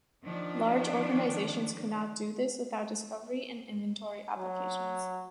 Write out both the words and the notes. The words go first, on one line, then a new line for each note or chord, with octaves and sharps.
Large organisations could not do this without discovery and inventory applications.
D#3 F3 D4
F#3